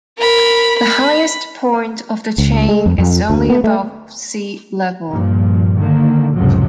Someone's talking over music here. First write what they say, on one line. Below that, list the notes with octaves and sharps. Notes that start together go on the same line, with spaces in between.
The highest point of the chain is only above sea level.
A#4 B5
B5
C#2
G#3
F2
F2
D2
B3
A3
G2 A#2 F3
D3 D#3 A#3
C#2 F#2 A2 C3 F3 F#3